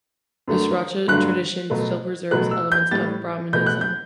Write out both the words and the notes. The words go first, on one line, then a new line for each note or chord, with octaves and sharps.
The Srauta tradition still preserves elements of Brahminism.
F#2 D3 A3
G2 D3 F#3 A3 F#6
B2 F#3 A3
B2 F#3 A3 F#6
E6
G6
A2 G3 A6
B2 A3 G6
F#6
G6